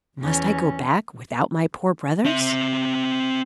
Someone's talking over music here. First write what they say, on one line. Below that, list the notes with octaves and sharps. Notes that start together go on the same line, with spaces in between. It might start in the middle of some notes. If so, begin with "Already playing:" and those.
"Must I go back without my poor brothers?"
E2 C#4
C4 E5